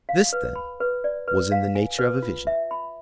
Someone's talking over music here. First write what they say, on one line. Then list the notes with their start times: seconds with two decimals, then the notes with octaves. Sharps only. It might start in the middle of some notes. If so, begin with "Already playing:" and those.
This, then, was in the nature of a vision.
0.09 F5
0.33 B4
0.56 B5
0.81 B4
1.04 D5
1.28 B4
1.52 F5
1.75 G#5
1.99 B4
2.22 F4
2.47 E5
2.71 B5